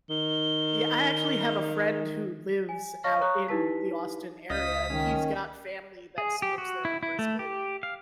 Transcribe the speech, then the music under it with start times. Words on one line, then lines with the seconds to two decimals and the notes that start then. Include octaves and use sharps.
Yeah, I actually have a friend who lives out in the Austin area, and he's got family that smokes their own brisket.
0.10 D#3 G7
2.69 G#5
3.04 C#5 D#5 F5 C#6 F6 A#6
3.21 C#5 A#5 C#6 D#6 F#6
3.48 D#4 E4 G4 B4 A5 B6
4.50 C#2 D#5 F5 D#6 B6
4.90 D#3 C#4
6.18 G#4
6.42 G4
6.58 F#4
6.85 E4
7.03 E4
7.19 A3
7.39 G4
7.83 F5